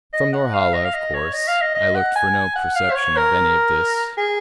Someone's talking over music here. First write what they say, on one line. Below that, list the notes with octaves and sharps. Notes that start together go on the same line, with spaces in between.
From Norhala, of course, I looked for no perception of any of this.
D#5
F#5
F5
D#5
F5
D#5
C#5
D#5
F5
D#5
D#5
F#5
G#5
F#5
F5
C5
C#5
A#4
G#4